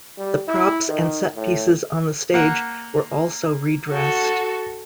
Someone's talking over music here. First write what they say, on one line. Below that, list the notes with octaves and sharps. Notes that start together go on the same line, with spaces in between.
The props and set pieces on the stage were also redressed.
G3
E4
D#3
A2
A#3 F#5
F#4 A4